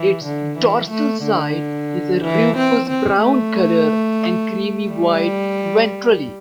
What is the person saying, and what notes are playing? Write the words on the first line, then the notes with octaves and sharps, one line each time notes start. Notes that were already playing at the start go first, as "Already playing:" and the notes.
Its dorsal side is a rufous-brown colour, and creamy-white ventrally.
Already playing: E3
D3
E3
A3
D3
E3
C4
C4
A3
G3